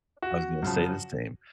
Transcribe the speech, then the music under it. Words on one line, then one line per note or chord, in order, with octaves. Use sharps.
I was gonna say the same.
F#4
F#2 C#3 F3